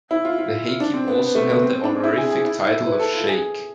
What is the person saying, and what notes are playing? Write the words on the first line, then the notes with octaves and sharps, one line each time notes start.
The Hakim also held the honorific title of sheikh.
E4
F4
F4
D4
C4
B3
B3
A3
B3
C4
D4
E4
G#4
G#4
E4
E4
B4
A4
F4
G#4